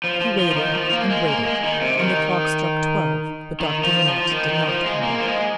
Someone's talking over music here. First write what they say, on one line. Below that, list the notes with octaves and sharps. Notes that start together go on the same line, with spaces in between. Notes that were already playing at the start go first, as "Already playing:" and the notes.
He waited and waited, and the clock struck twelve; but Doctor Manette did not come back.
F3
F3
F3
F3
D#3
F3
A#3
G#3
A#3
G#3
D#3
C3
D#3
D#3
F3
F3
D#3
D#3
F3
G#3
A#3
F3
G#3